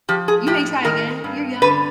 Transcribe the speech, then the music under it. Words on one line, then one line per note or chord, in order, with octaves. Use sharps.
You may try again, you're young.
F3 G4
G#4
A2 G4
D#3 A#4
G2
D3 B4